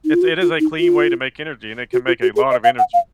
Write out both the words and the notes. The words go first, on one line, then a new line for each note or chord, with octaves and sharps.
It's it is a clean way to make energy, and it can make a lot of energy.
D#4
F4
F#4
F4
D#4
F4
F#4
F4
F#4
G#4
D#5
F5
F#5
F5